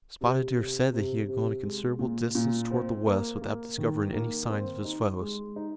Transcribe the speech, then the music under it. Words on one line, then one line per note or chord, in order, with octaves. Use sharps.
Spotted Deer said that he had gone a considerable distance toward the west without discovering any signs of his foes.
C3
C3
C3
C3
G#3
A#2
A#2
C4
A#3
A#3
D#3
A#3
C4
D#4
G#3
D#4